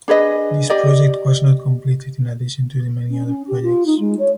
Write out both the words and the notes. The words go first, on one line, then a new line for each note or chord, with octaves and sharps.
This project was not completed in addition to the many other projects.
D4 G#4 B4 D#5
G4 D5 D#5
C#4
C#4
G4
F4
D#4
G#3
C#5